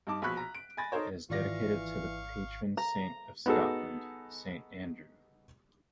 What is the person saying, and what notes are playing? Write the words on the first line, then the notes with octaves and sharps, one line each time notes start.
It is dedicated to the patron saint of Scotland, Saint Andrew.
G2 D#4 A5 D6
A#1 B2 B5 C#6 F#6 B6
A#5
D7
G#5 B5 A6 A#6
D#4 A4 A#4 C5 C#5
G#1 E3 F4 D5 F5 C#6 A#6
A#5
B3 D#4 F#4 G#4 A4